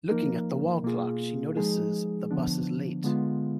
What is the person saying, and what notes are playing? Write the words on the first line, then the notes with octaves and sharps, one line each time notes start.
Looking at a wall clock she notices the bus is late.
F3 A#3 D#4 A#4
B2 A#3 F4 G#4
F3 G#3 D#4 G#4
D3 F3 B3 D4
D3 G#3 B3 F4